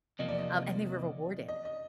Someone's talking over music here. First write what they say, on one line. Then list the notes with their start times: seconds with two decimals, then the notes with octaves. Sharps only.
Um, and they were rewarded
0.19 E2 C3 F3 A#3 D#5
0.29 D5
0.38 D#5
1.48 D#5
1.65 D#5